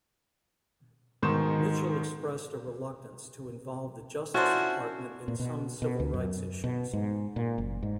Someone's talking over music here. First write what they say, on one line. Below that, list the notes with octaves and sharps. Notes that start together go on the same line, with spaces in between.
Mitchell expressed a reluctance to involve the Justice Department in some civil rights issues.
G#2 B2 D#3 C6 C#6 E7
F3 C#4 D4 E4 F#4 C5
A#2
B2
B2
D2
F#2
B2
G#2
A#2
F#1
G#2